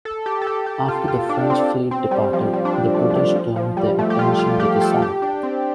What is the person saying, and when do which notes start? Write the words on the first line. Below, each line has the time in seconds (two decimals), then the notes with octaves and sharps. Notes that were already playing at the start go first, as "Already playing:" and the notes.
After the French fleet departed, the British turned their attention to the south.
0.05 A4
0.26 G4
0.41 A4
0.47 G4
0.66 G4
0.88 F4
1.08 F4
1.29 D4
1.50 C4
1.91 C4
2.11 G3
2.33 F3
2.53 G3
2.65 D4
2.73 C4
2.94 A3
3.10 A3
3.15 G3
3.36 F3
3.56 F3
3.77 G3
3.99 A3
4.10 G4
4.19 F4
4.39 F4
4.60 G4
4.81 A4
5.02 G4
5.22 D4
5.43 C4